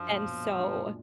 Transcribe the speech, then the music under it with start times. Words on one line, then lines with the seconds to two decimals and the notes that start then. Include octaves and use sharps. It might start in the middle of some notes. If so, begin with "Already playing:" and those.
and so,
Already playing: F#2 F3 D4
0.09 A#2
0.26 B1
0.43 G#3
0.59 D4
0.77 A#2